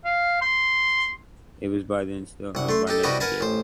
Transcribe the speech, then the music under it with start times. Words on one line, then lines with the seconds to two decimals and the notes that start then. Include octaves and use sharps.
It was by then still owned by Nathan Jacob.
0.05 F5
0.42 C6
2.55 C2 F#5
2.69 A3 C6
2.87 D#4 G4 A4
3.03 C2 G3 F#4 G4 B4 D#5
3.20 A#4 B4 F#5 G#5 A5 B5
3.41 A1 C5